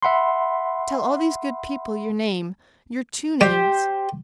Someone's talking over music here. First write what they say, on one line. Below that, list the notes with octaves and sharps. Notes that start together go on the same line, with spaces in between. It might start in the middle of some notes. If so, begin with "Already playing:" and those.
Tell all these good people your name; your two names!
E5 F#5 B5 C6
G3 G4 C5